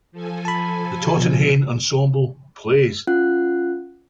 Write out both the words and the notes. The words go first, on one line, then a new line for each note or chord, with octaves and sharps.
The Tautenhayn ensemble plays!
F3 A4 G#5
A5 B5
B2 F3
C#4 F4 F#5 F#6